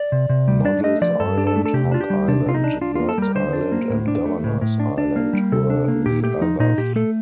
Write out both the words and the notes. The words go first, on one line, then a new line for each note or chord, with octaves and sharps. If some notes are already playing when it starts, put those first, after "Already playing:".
Noddle's Island, Hog Island, Bird's Island and Governor's Island were the others.
Already playing: D5
C3
C3
G3
D4 D5
A3 D#5
F3 D5
G2 A4
D4
A4
A3
A4
C3 G4
D4 F4
G4
G3
C3 D4
C3 F4
D#4
D4
D4 F4
A#3 F4
A4
G3 A#4
D3 C5
D4
A#3
A2
D4
A3
A2
A2
D4
D4
A#3
G3
C3 A4
D4
A#3
A#2 G4
A3 G4
F3 D#4
A#2 D#4
A#2 G4
A3 A4